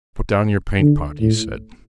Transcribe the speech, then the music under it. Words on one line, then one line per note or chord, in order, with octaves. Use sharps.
"Put down your paint pot," he said.
D3
A2